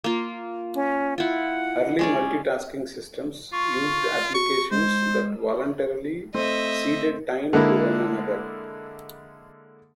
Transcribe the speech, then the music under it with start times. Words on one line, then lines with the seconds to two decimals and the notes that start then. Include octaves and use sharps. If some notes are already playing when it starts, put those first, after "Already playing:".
Early multitasking systems used applications that voluntarily ceded time to one another.
0.04 A#3 F4
0.74 C#4
1.18 E4 F4 F#5
1.99 G#3 C#4 D5
3.52 F4 C#6
4.34 F#4 C#6
4.71 G#3 C5
6.34 A3 C4 D#5 E5
7.53 D3 G#3 A#3 E4